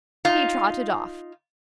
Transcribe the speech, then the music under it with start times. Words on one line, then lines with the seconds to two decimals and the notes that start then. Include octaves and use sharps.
He trotted off.
0.25 D#4 F4